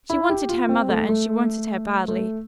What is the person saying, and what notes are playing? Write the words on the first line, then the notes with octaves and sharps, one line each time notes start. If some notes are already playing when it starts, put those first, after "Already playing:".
She wanted her mother and she wanted her badly.
E4
G4
F4
C4
A3
A3
A3